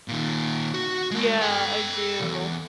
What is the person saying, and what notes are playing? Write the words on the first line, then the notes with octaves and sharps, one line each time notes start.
Yeah, I do.
A#2 D#3
F#4
G#3 A#4
A4 G5
B1 E2